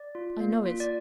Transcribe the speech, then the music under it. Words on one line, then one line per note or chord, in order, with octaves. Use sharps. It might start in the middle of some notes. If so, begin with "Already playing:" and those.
"I know it."
Already playing: D5
F4
A#3
F4
D5